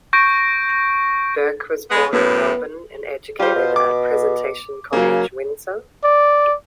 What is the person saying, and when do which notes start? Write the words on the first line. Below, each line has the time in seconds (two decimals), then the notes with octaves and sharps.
Burke was born in Melbourne and educated at Presentation College, Windsor.
0.13 C#6 G6 A#6 D7
1.91 G#3 B3
2.13 F#2 A2 B3
3.40 G3 F4 C5
3.56 B2
3.76 D6
4.93 C#3 F#3 A#3
6.04 D5